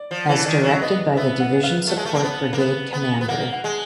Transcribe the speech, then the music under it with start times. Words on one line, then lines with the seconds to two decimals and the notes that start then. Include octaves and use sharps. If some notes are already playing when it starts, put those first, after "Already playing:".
As directed by the division support brigade commander.
Already playing: D5
0.11 F3
0.29 E3
0.46 D#3 D5
0.63 F#3
0.82 B3 D#5
1.16 B3 E5
1.40 F#5
1.63 F5
1.87 A3
1.97 G#3
2.05 A3
2.15 A#3
2.23 B3
2.53 A#3
2.58 B3
2.93 B3
3.21 B3
3.28 A#3 F#5
3.53 F#5
3.64 G#3